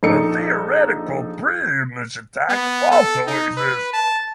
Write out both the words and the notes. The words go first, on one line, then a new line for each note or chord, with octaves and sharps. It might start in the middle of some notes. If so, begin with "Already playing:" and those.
A theoretical preimage attack also exists.
A#1 D#4 A4 C#7
B3
A4
D#4
B4
A5